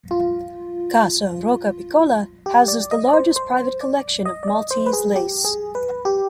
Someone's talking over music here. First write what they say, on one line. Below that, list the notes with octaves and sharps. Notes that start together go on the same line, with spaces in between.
Casa Rocca Piccola houses the largest private collection of Maltese lace.
F4
G4
D5
D#5
D5
C5
C5
D5
D#5
D5
D#5
C5
B4
G#4
G4
G#4
B4
G4